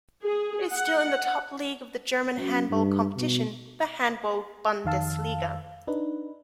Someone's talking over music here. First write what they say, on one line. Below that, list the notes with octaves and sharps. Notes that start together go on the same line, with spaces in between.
It is still in the top league of the German handball competition: the Handball-Bundesliga.
G#4
F#5
F#2
G2
B2
F2 D#3 F5 A5 E6
D4 D#4 B4